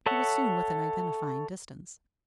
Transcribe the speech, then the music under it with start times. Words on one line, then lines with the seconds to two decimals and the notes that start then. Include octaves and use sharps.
He was soon within identifying distance.
0.06 A4 C#5 E5 F#5